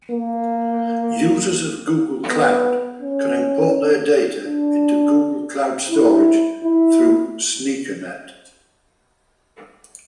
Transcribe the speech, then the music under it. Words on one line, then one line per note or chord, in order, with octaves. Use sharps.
Users of Google Cloud can import their data into Google Cloud Storage through sneakernet.
A#3
B3
C#4
D4
E4
E4